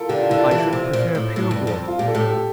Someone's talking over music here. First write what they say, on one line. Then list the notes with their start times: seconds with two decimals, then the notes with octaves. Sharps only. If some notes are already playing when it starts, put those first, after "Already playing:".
"I should prefer pure water."
Already playing: E4 F4 A4 A#4
0.09 D3 G4
0.20 F4
0.29 D3 E4
0.39 F4
0.51 E3
0.73 C3
0.93 A#2
1.15 A2
1.36 A2
1.51 G2
1.67 F2
1.88 F4
1.98 A#2 G4
2.08 A4
2.14 A2 G4
2.30 G4